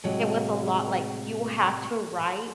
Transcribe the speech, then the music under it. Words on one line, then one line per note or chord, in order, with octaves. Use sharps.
it was a lot, like, you had to write
A2 C3 F#3 G#3